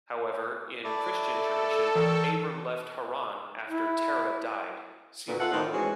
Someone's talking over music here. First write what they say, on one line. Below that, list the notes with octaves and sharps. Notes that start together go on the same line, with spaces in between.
However, in Christian tradition Abram left Haran after Terah died, see below.
A3 E4 D5
A4
E3 A#4 G5 C#6
E4
D2 A#2 D3 B3
F4 A4 E5 F#5
A2 D#3 C4 D#4 F4
E3 G#3 C4 C#4 F#4 G#4